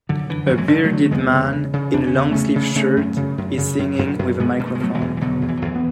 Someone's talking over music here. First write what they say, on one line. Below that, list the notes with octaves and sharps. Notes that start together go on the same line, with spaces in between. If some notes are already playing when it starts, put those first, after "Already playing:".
A bearded man in a longsleeve shirt is singing with a microphone.
F#2 D3
D3 E3
F#2 F#3
E3 G#3
D3
F#3 A3
D3
A3
E2 G#3 B3
C#3
C#3
C#3
E2 D4
C#4
C#3 B3
C#3 A3 C#4
C#3
C#3 A3 C#4
F#2
C#3
F#2
C#3
F#2
F#2
F#2
B2 G#3 B3
B2
A3
G#3
B2 F#3 A3
E3 G#3
E2
E3
B2 D3 F#3
E2
E3
F#3
E2 E3
B3